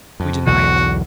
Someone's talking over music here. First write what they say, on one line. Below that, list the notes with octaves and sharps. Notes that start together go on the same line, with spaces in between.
We deny it.
F2
B1 E2 D3 F#4